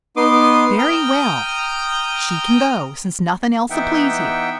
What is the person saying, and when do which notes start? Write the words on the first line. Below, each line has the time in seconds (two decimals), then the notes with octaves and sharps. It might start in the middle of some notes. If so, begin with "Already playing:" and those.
"Very well, she can go, since nothing else'll please you."
0.16 B3 D#4 C6 D6 D#6
0.78 G5 A#5 D#6 F6 G6
3.70 E3 B3 D#4 E5 F#5 G5